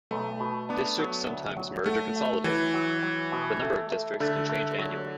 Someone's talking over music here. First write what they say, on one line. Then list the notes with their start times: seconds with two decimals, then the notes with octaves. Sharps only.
Districts sometimes merge or consolidate; the number of districts can change annually.
0.11 B1 A3
0.40 B2
0.69 B3 D4
0.99 F#3
1.28 D2
1.57 F#3
1.86 A3 F#4
2.15 A3
2.44 E3 F#3
2.74 F#3
3.03 F#3
3.32 B2
3.62 A3
3.90 A3
4.20 D3 A3
4.49 A3
4.79 F#3